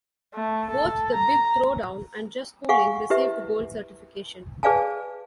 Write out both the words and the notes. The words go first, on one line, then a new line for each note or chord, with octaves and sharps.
Both "The Big Throwdown" and "Just Coolin"' received gold certification.
A3
A4
A#5
G#4 F5 F#5 G#5 C#6
E4 G4 B4 E5
G#4 B4 D5 F5 G#5 A5